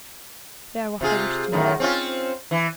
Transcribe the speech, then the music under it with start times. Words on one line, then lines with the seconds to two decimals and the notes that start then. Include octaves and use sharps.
They are what I wish to unite!
1.01 C3 F4 G#4
1.52 F#2 A2 D#3
1.80 C4 C#4 F4
2.51 E3